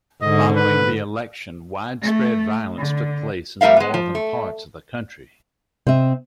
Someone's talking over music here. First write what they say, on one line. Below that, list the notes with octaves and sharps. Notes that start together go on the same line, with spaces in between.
Following the election widespread violence took place in the northern parts of the country.
G#2 D3 D#5
B4
A3
D3
G3 A3 A#4 E5 F5
G#3 B3
F3
A3
C3 C4 D#5 E5